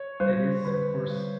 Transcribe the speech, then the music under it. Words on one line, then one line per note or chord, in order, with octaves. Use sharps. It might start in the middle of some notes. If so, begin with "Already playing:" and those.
it is, of course,
Already playing: C#5
G3 C5
D3 B4
G3